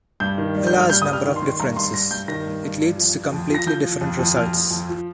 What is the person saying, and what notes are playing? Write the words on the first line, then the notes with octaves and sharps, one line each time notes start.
A large number of differences! It leads to completely different results.
G2 G6
D#3
G3
G6
G2
F6
G3 G6
D#6
G2
F6
D#3
C6
D#3
G2 A#5
G2 C6
G2 A#6
G2 G6
D#3 A#6
G2
G2
G2
F3
F3
F2
F3 A#6
F3 G6
F3
F2
F2
F2 F6
F2
F2
F3